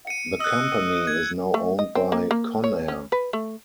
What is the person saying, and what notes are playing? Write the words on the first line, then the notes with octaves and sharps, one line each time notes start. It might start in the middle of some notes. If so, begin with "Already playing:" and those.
The company is now owned by Conair.
C#7 D#7
D#5 E6 F#6
G#6
A3
D#5
C4
A#3
A#3
C#5
C#4
B4
A3